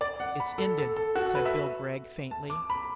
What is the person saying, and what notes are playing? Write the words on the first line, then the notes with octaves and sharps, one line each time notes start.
"It's ended," said Bill Gregg faintly.
D5
F#5
B5
A4
A4
A4
F#4
A4
B4
E5
A5
D6
B5